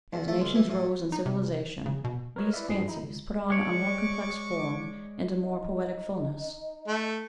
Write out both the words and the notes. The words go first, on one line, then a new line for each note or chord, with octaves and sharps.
As nations rose in civilization these fancies put on a more complex form and a more poetic fulness.
E2
A3
C#2
E3
A2
D#4
C3
C#3
B2
A#4 B4 C#5 D#5 F6
E4 B4 D5 E5
G2 E3 F3 G#4 C7
D#4 E4
C#2
G#3 C#5 D5 C#6 D6
D#4
A3